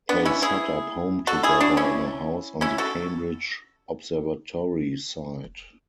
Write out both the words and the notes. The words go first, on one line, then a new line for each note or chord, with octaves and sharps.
They set up home together in a house on the Cambridge Observatory site.
B3 D4
C#4 E4
E4 G#4
F#4 A4
E4 G#4
D4 F#4
C#4 E4
C#4 E4
F#4 A4